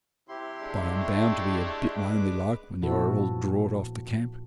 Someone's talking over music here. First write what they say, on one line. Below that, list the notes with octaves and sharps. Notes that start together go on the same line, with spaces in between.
But I'm bound to be a bit lonely like when you are all drawed off the camp.
C3 E4 G4 C6
G#3 D4
A3
B4 D6
A#2 F3 B3 E4 F#4 A4